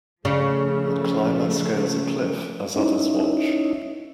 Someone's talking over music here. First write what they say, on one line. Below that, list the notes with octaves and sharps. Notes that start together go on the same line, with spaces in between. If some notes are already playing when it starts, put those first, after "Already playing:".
A climber scales a cliff as others watch.
C#3 F3 A3
C#4 D#4 E4